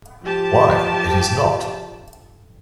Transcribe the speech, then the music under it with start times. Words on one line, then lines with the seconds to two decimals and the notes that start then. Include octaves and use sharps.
Why, it is not!
0.23 F3 G4 A5